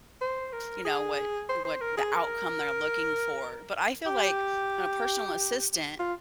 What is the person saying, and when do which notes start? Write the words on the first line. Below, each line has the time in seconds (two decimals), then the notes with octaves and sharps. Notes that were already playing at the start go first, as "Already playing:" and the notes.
you know, what what the outcome they're looking for, but, I feel, like, a personal assistant
0.21 C5
0.52 A#4
0.85 G#4
1.49 C5
1.65 C5
1.81 A#4
1.97 G#4
2.14 A#4
4.06 G4
5.99 F4